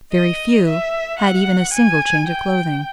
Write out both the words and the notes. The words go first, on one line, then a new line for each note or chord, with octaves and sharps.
Very few had even a single change of clothing.
D#5
E5
F#5
G#5
G5